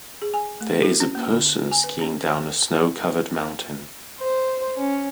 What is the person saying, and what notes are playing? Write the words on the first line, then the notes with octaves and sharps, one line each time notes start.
There is a person skiing down a snow covered mountain.
G#4
G#5
A3
F#4
C#4
A#3
D3
G#5
B4
C#4
C5
C#4